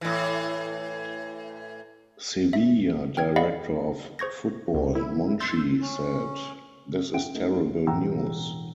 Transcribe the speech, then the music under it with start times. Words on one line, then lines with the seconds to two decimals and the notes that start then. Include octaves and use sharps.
Sevilla director of football Monchi said, This is terrible news.
0.01 A2 E3
2.53 E5
3.17 G5 F6 G#6
3.36 D5 D#5 F5 F#5 B5
4.19 G#4 C5 C#6 G#6 A#6
4.74 C#2
4.95 E4
5.40 C6 E6 G6 A6
5.82 C#4
7.14 C#4 F#5 G5 D7
7.35 A3 D#4 A#4
7.87 E1 A2 F#5 G5 A#5 E6